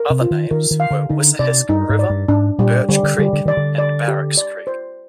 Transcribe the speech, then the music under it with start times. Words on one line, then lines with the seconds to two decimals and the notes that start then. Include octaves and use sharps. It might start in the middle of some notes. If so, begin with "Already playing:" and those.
Other names were Wissahisk River, Birch Creek, and Barracks Creek.
Already playing: A#4
0.10 C3
0.21 F4
0.31 D#3
0.51 D#3 A#4
0.71 D#3
0.80 F5
0.91 D3
1.09 D3 D#4
1.39 C3 D5
1.69 G2 D#4
1.89 G#2
1.99 D5
2.10 G2
2.28 G#2 D4
2.59 A#2 G3
2.89 D3 G3
3.03 D3
3.18 D3 G3
3.33 D3
3.46 D#3 D5
3.57 D3
3.78 D5
4.08 G4
4.37 D5
4.67 C5